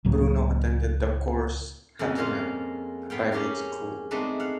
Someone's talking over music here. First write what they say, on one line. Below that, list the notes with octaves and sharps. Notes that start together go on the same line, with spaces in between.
Bruno attended the Cours Hattemer, a private school.
C#2 A2 F#3 A#3
F2 C#3 G#3
G#3 A#3 C#4 F4 C5 F5
A2 B3 F5 G5
C#4 G4 G#4 A#4 C#5
G#3 A3 B3 C4 D4 D#4
F5 F#5